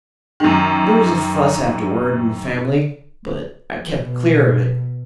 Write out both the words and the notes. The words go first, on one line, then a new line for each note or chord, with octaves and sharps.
There was a fuss afterward in the family, but I kept clear of it.
F#2 D#3
B2